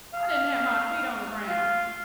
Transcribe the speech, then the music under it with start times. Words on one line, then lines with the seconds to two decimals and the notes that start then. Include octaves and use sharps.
I didn't have my feet on the ground.
0.13 F5
1.48 F4